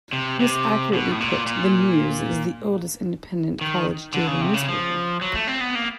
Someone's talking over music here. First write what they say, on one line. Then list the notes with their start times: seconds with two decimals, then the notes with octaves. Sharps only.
Most accurately put, the "News" is the oldest independent college daily newspaper.
0.13 C3
0.40 C3
0.93 B2
1.12 A2
1.20 A#2
1.46 A#2
3.61 D#3
4.14 D3
4.27 C#3
4.41 C3
4.54 C#3
4.68 F3
5.22 F#3
5.35 A3
5.47 C4
5.61 B3
5.75 A#3